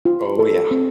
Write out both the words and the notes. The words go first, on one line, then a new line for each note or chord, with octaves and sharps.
Oh, yeah.
F4
A4
C4